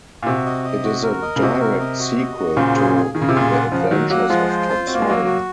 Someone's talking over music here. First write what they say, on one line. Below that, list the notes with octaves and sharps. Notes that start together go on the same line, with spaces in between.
It is a direct sequel to "The Adventures of Tom Sawyer".
A#2
C3 F#4
D#5
D#5
F#4
A#4
D#5
C#3
C3 F#4
A#4
D#5
F#4
D#5
F#4
A#2 C#3 C5
G#4
G#4
D#3 G#4
C#3
C3
A#2 C#3 F4
F#5
C#3 F3 F#5
D#3 F#3 F#5
F#3 A#3 F#5
F3 G#3 F4
C5
F4
C4 F#4
A#3
G#3
F#3 A#3 F#4
F#4